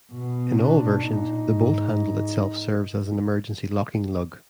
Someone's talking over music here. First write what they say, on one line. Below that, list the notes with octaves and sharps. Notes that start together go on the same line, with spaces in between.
In all versions, the bolt handle itself serves as an emergency locking lug.
B2 B3
B3
D4
A#2 D#4
G#2
G#2